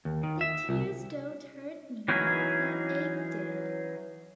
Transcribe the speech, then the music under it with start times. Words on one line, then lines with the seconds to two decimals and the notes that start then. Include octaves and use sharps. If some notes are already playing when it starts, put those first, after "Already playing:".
The tears don’t hurt me like that ache did.
0.05 D#2
0.23 D#3
0.41 E5
0.69 C2
2.08 E3 F#3 C#4 D#4 E4 G#4